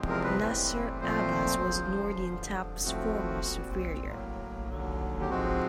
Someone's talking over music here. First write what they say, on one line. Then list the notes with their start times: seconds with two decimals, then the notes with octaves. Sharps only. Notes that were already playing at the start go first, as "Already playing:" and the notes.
Nasir Abbas was Noordin Top's former superior.
Already playing: E2 C3 F3 G#3 C4
0.08 A#4
0.23 B4
0.39 A2 E3 G3 C4
1.01 A#2 F3 A3 C4 C5
1.62 E2 C#3 F3
2.23 G2 D3 F3
2.84 A2 F3 A3 C4 F#4
3.46 A#2 G3 C4
4.07 A2 F#3 A#3
4.68 D#2 D3 F#3
5.21 G4
5.29 G#2 F3 G#3 C4 F#4